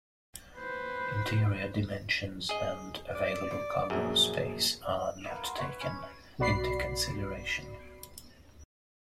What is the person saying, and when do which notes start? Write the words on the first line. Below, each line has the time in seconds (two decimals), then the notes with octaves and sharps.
Interior dimensions and available cargo space are not taken into consideration.
0.57 B4 C5
2.49 G#4 D#5
3.15 D5
3.90 A#1 F#2 G#4
5.26 A#3 B3 E5
5.45 C6
5.59 B4 C#5 C6 C#6
5.81 C#4
6.38 B1 B2 F#4 D5 B5 C7